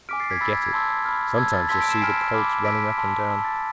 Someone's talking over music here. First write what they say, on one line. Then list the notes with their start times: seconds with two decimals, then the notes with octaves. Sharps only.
They get it. Sometimes you'll see the colts running up and down.
0.09 G#5 D6 F6 B6 D7
0.20 A6 C7
0.30 G#6 B6
0.41 B5 E6 A6
0.51 G#6
0.63 G#6
0.73 A5 C6 E6
1.05 B5 F6
1.37 A5 E6 G#6
1.53 A6
1.69 A5 C6 E6 G#6 B6
1.80 B6 D7
1.90 C7 E7
2.01 G#5 B5 F6 B6 D7
2.34 B5 D6 F6
2.65 A5 E6 B6 D7
2.97 A5 C6 F6
3.30 A5 E6
3.45 A6